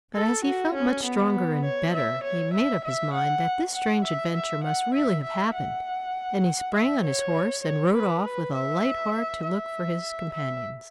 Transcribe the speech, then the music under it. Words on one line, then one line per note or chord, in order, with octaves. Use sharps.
But as he felt much stronger and better he made up his mind that this strange adventure must really have happened, and he sprang on his horse and rode off with a light heart to look for his companions.
A4
F#4
C#4
B3
C#5
E5
C#5
E5
E5
F#5
F#5
E5
E5
F#5
E5
E5
F#5
E5
C#5
C#5
B4
B4
E5
E5
E5